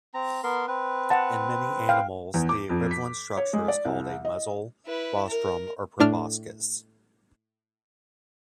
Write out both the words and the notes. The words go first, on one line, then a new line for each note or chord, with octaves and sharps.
In many animals the equivalent structure is called a muzzle, rostrum or proboscis.
C4 A#5
B3 A#4 C6
C4 B4
F#5 A5
F5 G5
E2
D6
F2
B6
C#5
G#3
D5
C2
D#5
E4 B4
A#4
A2 D4 F6